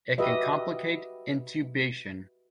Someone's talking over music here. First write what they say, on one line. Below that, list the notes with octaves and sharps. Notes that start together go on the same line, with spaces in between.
It can complicate intubation.
F#4 G4 B4 D#5 E5